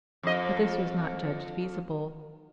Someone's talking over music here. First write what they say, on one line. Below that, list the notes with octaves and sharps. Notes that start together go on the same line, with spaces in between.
But this was not judged feasible.
F2 D#5